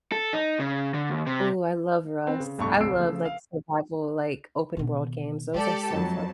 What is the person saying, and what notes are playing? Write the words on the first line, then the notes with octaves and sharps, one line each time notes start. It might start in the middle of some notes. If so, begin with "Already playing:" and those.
Ooh, I love Rust. I love, like, survival, like, open-world games, those are so fu
A4
D#4
C#3
D3
D#2
C3
C4 B4
C#3
F1 B1 G2 A3 A5 C#6
D1 C2 E6 C7 D7
C#3 F3 A3
F5
B2 D#3
G#3 G4 A4 D5
F2 F#3 A5